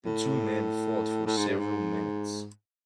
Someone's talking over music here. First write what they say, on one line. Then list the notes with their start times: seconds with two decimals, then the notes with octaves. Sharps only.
The two men fought for several minutes.
0.06 A2
1.27 A2
1.37 G#2
1.48 G2
1.60 G#2